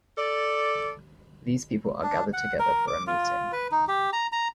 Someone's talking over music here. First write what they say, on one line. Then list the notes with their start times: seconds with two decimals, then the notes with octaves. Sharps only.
These people are gathered together for a meeting.
0.16 A4 D5
2.03 D4
2.33 F#5
2.59 A#4
2.87 D6
3.07 F4
3.52 B4
3.72 D#4
3.88 G4
4.13 A#5
4.32 A#5